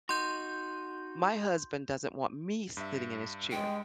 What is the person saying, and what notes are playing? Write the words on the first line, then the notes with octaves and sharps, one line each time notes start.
my husband doesn't want me sitting in his chair,
D#4 F#4 C6 G6
G2 E5
G#3 G5